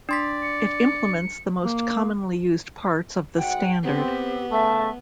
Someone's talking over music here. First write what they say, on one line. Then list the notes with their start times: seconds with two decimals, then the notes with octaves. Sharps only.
It implements the most commonly used parts of the standard.
0.09 D4 D5 C6 B6
0.42 C#7
1.64 A#3
3.38 G#2 F#4 F#5 G5
3.84 B3 C4 G4
4.52 C#3 A3 E5 A5